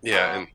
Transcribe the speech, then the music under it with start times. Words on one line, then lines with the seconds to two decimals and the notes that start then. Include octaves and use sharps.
Yeah, and
0.12 C#3 F#3 B3